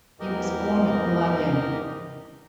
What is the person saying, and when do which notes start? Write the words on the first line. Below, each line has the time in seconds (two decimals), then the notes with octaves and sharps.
He was born at Maillen.
0.20 E2 G#2 E3 G4 A#4 D#5